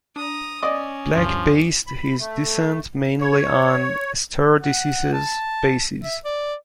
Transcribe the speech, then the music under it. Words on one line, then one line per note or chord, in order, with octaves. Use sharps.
Black based his dissent mainly on "stare decisis" basis.
D4 A#5 D#6
C#4 D5 D#5 D6 D#6
D2 G2 F3
B5
A3
C#5
F#5
A5
E5
D5